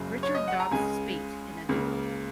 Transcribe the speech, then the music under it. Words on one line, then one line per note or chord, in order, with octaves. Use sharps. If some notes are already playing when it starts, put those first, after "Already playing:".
Richard Dobbs Spaight in a duel.
Already playing: F#1 F#2 C#3
C#5
D#5
F#5
A#5
C#2 C#3 G#3 G#5
C#2 C#3 A#3